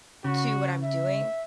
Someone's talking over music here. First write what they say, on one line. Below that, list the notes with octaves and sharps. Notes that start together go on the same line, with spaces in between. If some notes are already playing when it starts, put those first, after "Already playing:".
to what I'm doing,
C#3 F#4
E5